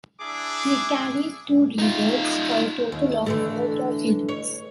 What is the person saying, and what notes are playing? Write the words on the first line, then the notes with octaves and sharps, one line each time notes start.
They carried two reloads, for a total of four torpedoes.
D4 E4 G#4 D6
D#4 F4
D#2
D3 E3 A3
C#5